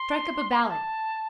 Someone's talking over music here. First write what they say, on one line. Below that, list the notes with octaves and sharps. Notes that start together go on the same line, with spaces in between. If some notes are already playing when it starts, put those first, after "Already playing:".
Strike up a ballad.
Already playing: C6
A5